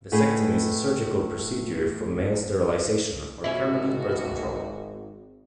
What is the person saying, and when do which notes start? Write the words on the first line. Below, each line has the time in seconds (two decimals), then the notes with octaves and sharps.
Vasectomy is a surgical procedure for male sterilization or permanent birth control.
0.12 A2 A3 D#4 G#4 B4
3.44 G#1 B2 C#4 E4 F#4